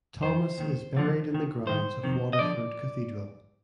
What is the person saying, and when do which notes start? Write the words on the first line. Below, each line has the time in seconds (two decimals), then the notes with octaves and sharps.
Thomas is buried in the grounds of Waterford Cathedral.
0.22 F2 D#3 C5
0.58 D#2 D#3
0.94 D#2 D3 F3
1.31 D#2 D#3
1.66 G2 D#3 C5
2.03 F2 C3 D#3
2.33 D#5
2.39 D3 F3 D5